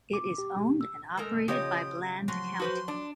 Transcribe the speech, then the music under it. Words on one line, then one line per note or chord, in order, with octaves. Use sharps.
It is owned and operated by Bland County.
D6
G4
E6
G#3 A3 A#4
C#3 F3 G4 C#5 D#5 D#6
F3 F#3 C6
F#4 B4 C5
D4